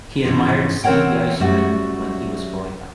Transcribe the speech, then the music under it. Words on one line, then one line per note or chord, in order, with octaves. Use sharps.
He admired Steve Yzerman when he was growing up.
G#2 C#3 E3 F3
E3 C4 A#4 C#5 F#5 G5
F#2 G3 A3 F#4 F#5